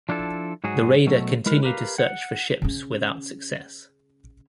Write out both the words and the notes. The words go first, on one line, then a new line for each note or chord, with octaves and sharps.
The raider continued to search for ships without success.
F3 D4 E4 A4
G#2 F#3 F#4 G#4
B2 F#3 A3
G#3 E4 A#4 B4
G4 A#4 B4 F5
F#5
C#3 C#4